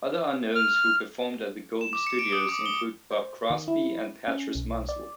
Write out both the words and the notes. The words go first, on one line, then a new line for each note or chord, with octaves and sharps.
Other unknowns who performed at the Golden Studios include Bob Crosby and Patrice Munsel.
F6
E7
D6
C#7
D7
D#6
D6
G7
C5
D#3
E4
C#4
B1
D5